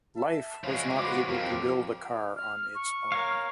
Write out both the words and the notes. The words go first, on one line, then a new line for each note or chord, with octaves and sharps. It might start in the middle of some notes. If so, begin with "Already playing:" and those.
Life was not able to build a car on its own.
E5 A5
F3 G#3 C#4 E4 F#4
E4 F#4 B4 C6 D6
F2 F3 F4 G4 A4 A#4
F6
C#6
A#4 C#5 F5